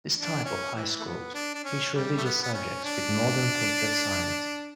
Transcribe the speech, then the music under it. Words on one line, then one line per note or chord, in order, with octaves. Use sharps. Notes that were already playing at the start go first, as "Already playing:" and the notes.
This type of high schools teach religious subjects with modern positive science.
D4
C#4
E3
A3
B3
D4
D4
C#4
G3
A3
B3
B3
C#4
D4